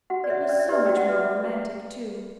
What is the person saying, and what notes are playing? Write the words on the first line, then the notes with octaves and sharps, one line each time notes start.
It was so much more romantic, too.
F#4 F#5
D5
C#5 E5
C#4 D5
E5
G4 B4 D5
F#4 G5
F#5
B4 E5